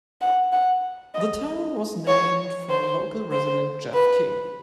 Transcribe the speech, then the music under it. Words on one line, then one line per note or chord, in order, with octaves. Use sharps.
The town was named for local resident, Jeff King.
F#5
F#5
D#5
C#5
C5
C5
B4